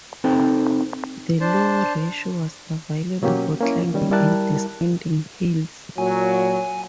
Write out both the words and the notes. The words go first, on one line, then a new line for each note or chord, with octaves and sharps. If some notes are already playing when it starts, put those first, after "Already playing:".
The low ratio was available for climbing and descending hills.
C4 D#4 A4 C5 G5
D4 C5 A5
B2 F#3 A#3 C#4 G4
A#3 C#4 E4
D#3 G3 C#4
G3 E4 A#4 A5 F#6
A#2 F#3 G#5